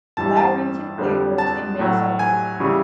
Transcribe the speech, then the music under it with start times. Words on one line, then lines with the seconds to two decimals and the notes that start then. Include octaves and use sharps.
Flowering typically occurs in mid-summer.
0.17 G2 E3 G3 A5
0.37 A5
0.98 F2 D3 G3
1.38 A5
1.79 A2 F#3
2.19 G#5
2.60 C#3 E3 G3